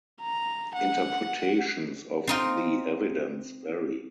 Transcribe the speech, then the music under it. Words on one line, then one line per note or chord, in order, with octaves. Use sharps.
Interpretations of the evidence vary.
A#5
F#5
C4 D#4 F4